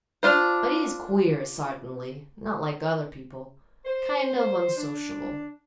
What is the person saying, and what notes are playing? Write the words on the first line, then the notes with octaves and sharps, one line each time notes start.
But he's queer sartainly--not like other people--kind of unsociable.
D4 F4 C5
C5
D4